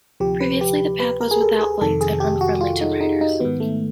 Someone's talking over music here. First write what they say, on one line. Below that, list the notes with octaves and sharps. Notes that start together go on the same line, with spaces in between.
Previously the path was without lights and unfriendly to riders.
D2 C3 F3 G4
B4
G4
B4
A#4
G#4
A4
G#4
F2 C3 D#3 A4
G#4
G4
F#4
F4
D#4
D#4
D#4
G#2 D#3 B3
A3